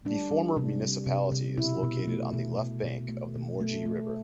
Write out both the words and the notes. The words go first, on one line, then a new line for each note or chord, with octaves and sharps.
The former municipality is located on the left bank of the Morges river.
G3 D4
G3
C3
G3
C3
C3
B2 E4
B2
A3
B2
B2
B2
A3
B2
A3
A3